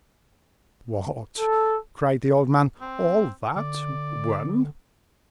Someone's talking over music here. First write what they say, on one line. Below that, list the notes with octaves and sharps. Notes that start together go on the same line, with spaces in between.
"What!" cried the old man--"all that--won?"
A4
C4
D3 D5